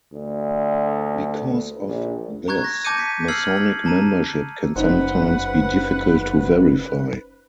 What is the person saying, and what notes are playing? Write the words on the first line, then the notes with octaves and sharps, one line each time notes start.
Because of this, masonic membership can sometimes be difficult to verify.
D2
A#1
A#5 C#6 F#6 G#6
A#6
A5 D6 G6 C#7 D#7
B6
E6 F6 G#6 C7 F#7
A5 A#5 D#7
F#1 C#4 D#4 B4 C5 F#5